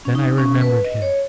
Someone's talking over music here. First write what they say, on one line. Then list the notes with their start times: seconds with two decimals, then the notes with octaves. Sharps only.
Then I remembered him.
0.05 C#4
0.15 D#4
0.38 C#4
0.61 B4
0.84 D#5
1.02 C#5